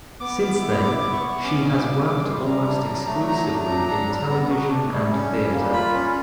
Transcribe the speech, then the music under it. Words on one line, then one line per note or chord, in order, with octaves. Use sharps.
Since then, she has worked almost exclusively in television and theatre.
B3 D6
B3
E4
E4 D6
B3 D6
C#6
B3
C#6
C#4 D6
G3
A#3
G3 D6
C#4 C6
G3 A#5
D4
F#3
A3
F#3 A#5
D4
F#3
D4
G3
B3
F#4
D4
G3
C#4
G3
A#3
F4 B5
C#4